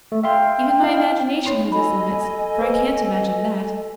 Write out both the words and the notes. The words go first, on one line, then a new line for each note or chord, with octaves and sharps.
Even my imagination has its limits, for I can't imagine THAT.
A3
E5 F5 G5 C6
E4 D#5 F5
D4 D#4 C#5 F7
A4 D#5 G#5 B5
B4 C5